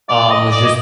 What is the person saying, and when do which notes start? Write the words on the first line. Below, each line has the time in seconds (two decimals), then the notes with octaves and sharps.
um, was just
0.09 D5
0.30 D#5
0.52 D5
0.65 D#5